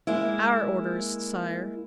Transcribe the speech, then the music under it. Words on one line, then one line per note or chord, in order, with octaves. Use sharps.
"Our orders, Sire."
G#3 A#3 E4